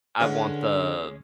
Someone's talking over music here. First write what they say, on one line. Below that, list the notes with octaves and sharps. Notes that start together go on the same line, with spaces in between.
I want the the
D3 G#3 C#4 B4 F#5